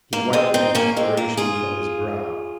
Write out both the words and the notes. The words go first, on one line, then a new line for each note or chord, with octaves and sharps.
He wiped the perspiration from his brow.
A#3
G#3 C4
C4 D#4
A#3 C#4
G#3 C4
A#3
F4 G#4